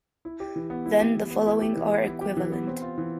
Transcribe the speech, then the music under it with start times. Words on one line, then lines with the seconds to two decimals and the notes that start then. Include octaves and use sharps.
Then the following are equivalent.
0.25 E4
0.40 G4
0.56 E3
0.70 B3
0.86 E4
1.01 G4
1.17 E3
1.30 B3
1.46 E4
1.61 G4
1.77 E3
1.92 B3
2.07 E4
2.21 G4
2.37 E3
2.52 B3
2.67 C4
2.82 F4
2.98 E3